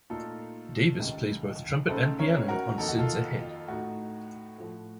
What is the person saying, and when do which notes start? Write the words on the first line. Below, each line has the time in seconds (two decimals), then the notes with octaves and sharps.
Davis plays both trumpet and piano on "Sid's Ahead".
0.10 A#2 A3 D#4 F4 A4
0.99 C#2 C3 D#3
1.89 C#2 C#3 A3 D#4 A4 C5
2.19 A#4 C#5
2.48 F#4 A#4
2.78 F2 D#3 A#3 D#4 A4
2.89 F#4
2.99 F4 A4
3.68 A2 A3 D#4 F#4
4.58 A2 F3 A3